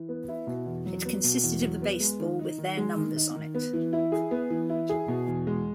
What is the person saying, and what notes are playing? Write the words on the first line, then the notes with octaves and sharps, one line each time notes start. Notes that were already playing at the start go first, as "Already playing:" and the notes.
It consisted of a baseball with their numbers on it.
Already playing: E3
B3
E4
B2
E2
F#3
B3
B2
E2
F#3
B3
G#3
D#3
D#4
D#3
G#3
D#3
D#4
D#3
B3
E3
E4
G#4
B3
E3
E4
G#4
B2
E2
G#3